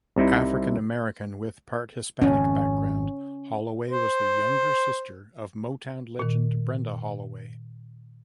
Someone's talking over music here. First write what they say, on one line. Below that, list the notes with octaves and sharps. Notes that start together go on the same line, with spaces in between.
African-American with part-Hispanic background, Holloway was the younger sister of Motown legend Brenda Holloway.
C2 C3 D#4 E4
G#1 F2 C#4
C5
A#2 D#3